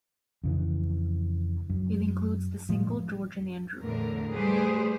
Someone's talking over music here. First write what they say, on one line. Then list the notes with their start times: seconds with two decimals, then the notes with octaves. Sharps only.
It includes the single "George and Andrew".
0.44 F2 C#3 E3
1.70 F#2
2.69 A2 F3 G#3
3.80 E2 A2 D3 A#4
4.31 G3 A3 G4 G#4 B4 C5